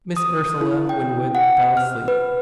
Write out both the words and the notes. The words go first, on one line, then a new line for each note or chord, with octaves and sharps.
Miss Ursula Winwood fell asleep.
D#6
E4
G5
F#5
F6
B4